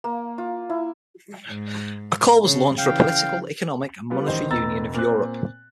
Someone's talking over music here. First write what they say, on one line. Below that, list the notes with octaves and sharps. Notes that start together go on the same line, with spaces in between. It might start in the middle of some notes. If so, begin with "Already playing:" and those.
A call was launched for a political, economic and monetary Union of Europe.
A#3
F4
E4
G#2
C#3
C#3 E3 F5 G5
G3 B3 F4
A1 D#3 C5 D#5
E1 B3 A#5 E6 A6
A#2 C4 F#6